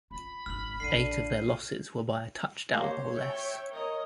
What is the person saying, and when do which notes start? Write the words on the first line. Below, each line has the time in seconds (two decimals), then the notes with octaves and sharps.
Eight of their losses were by a touchdown or less.
0.11 F4 B5
0.46 G#1 D#4 F6 F#7
0.80 A#1 D3 C7 D#7
2.74 A#3 G4 C5 C#5
3.15 E5 G5
3.71 A#4 D#5